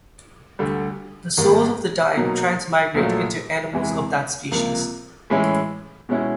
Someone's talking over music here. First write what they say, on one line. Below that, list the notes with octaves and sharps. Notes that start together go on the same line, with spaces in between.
The souls of the dying transmigrate into animals of that species.
D2 D3 G3
G#1 G#2 D#3 G3 A#3
B2 F#3 A#3 D#4
A#1 A#2 F#3 A3
E2 C3 E3 G#3
C#2 C3 F3 A#3
A2 E3 G#3 C#4 E4
B2 G#3 C#4 E4